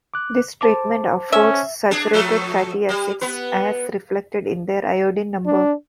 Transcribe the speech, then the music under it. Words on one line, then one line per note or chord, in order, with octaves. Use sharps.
This treatment affords saturated fatty acids, as reflected in their iodine number.
D6 F#6
C5 A5 D6
C#4 E5
D4 G#4
F3 F#3 A3
G3
B3 B4
D4